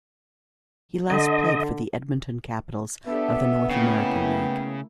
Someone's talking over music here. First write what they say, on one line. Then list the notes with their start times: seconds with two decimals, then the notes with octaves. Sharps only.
He last played for the Edmonton Capitals of the North American League.
1.10 D3 D#5
3.07 B3 D4 G4 A4 E5
3.71 C#3 A3 A#3 E4 G5